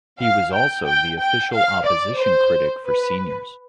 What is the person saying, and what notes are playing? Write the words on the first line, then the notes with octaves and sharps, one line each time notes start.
He was also the Official Opposition Critic for Seniors.
F5
G5
G5
G5
F5
D5
C5
B4